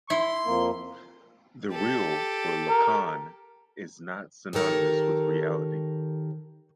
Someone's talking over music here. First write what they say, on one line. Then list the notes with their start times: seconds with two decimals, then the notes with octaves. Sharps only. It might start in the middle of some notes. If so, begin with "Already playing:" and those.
The Real, for Lacan, is not synonymous with reality.
0.10 E4 C6
0.46 F2 A#3
1.71 G4 A4
2.69 A#4
4.53 D#3 G4 A4 A#4 C#5